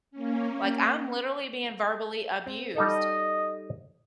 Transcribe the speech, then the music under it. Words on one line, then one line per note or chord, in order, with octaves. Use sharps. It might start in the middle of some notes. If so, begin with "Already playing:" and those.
like I'm literally being verbally abused
A#3 C#4
C4
G3 D#4 A4 D#5